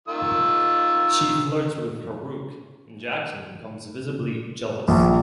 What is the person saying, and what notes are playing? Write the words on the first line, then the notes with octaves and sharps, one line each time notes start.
She flirts with Farooq and Jackson becomes visibly jealous.
D#3 F4 E6
A#1